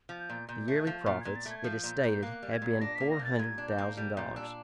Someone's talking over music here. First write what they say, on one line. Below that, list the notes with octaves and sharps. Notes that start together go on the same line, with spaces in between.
The yearly profits, it is stated, have been four hundred thousand dollars.
F3
G6
A#2
A#2 G6
A3
F3
A#2 F6
A#2 G#6
A6
A3 G#6
G#6
F3 G6
A#2
A#2
A#3 F#6
G3
G#6
A#2
D4 A#6
A#3 B6
A#6
G3
A6
A#2 G#6
D4
G6
A#3
G3 G6
A#2 G6
D4 E6